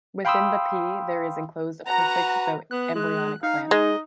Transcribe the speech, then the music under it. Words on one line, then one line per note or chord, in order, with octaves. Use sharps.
Within the pea, there is enclosed a perfect, though embryonic plant.
F5 G5 B5 C6 D#6 E6
F#4 B4 F#5 A#5
B3 F#6
G#3
D#4 F5
G#3 D#5